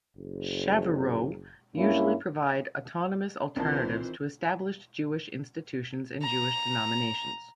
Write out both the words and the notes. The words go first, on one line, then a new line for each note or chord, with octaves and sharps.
"Chavurot" usually provide autonomous alternatives to established Jewish institutions and Jewish denominations.
F#1
G2 A#3 C#4 E4
C2 D#3 E3 C4 F4 A#4 C5 A5
A#5